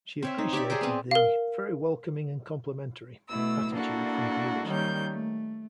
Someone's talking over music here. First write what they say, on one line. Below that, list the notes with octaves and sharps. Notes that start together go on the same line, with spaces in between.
She appreciated the "very welcoming and complimentary" attitude from viewers.
C4 C#5 E5
D#4
G4 C#5 D5 E5
G#4 A#4 C5 D5
B3 C4
A#4 F5
B2 A3 E4 E6
A#3 D4 E4 F#4 A4
D#3 G3 A#3 C#4 G6
A3